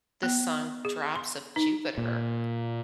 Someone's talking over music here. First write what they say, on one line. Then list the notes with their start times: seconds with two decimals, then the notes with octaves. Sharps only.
the song Drops of Jupiter.
0.23 B3
0.85 G#4
1.16 C6
1.56 D#4
1.98 A#2